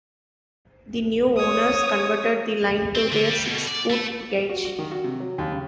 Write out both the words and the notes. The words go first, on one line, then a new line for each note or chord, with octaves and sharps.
The new owners converted the line to their six-foot gauge.
C#5 D#6
C4
D3
G3
B2
D5
A3
F#4
F#4
D#3
F#4
C3
F#3
D#2
C#3